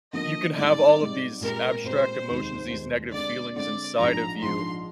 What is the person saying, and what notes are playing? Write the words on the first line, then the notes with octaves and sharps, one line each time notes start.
you can have all of these abstract emotions, these negative feelings inside of you,
D3 F3 A#3 D#5
G#2 G3 C4 D#4 D5
G#2 G3 C4 D#4
A#2 G#3 C4 G4 A#4
A#2 G#3 C4 G4 C5
F1 D#2 D#3 G#3
F1 D#2 D#3 G#3
D3 G#3 C4 D5
D3 G#3 C4 D5
A#1 G#2 F3 A#5
A#1 G#2 F3 C6